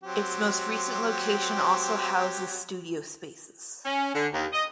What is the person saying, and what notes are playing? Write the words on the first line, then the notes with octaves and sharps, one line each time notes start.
Its most recent location also houses studio spaces.
F#3 C4 G4
C#4
D3
D#2
D#5